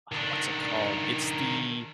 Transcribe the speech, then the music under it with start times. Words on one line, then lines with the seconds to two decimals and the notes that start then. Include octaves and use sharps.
uh, what's it called? It's the
0.12 D#3 D4